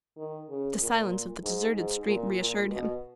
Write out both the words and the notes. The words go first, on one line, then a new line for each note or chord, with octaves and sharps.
The silence of the deserted street reassured him.
D#3
C#3
A#2
G#2
G#2
A#2
A#2
B2